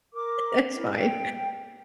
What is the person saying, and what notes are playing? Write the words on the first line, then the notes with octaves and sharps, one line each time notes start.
that's fine,
A#4 D6
E4 A#4
G5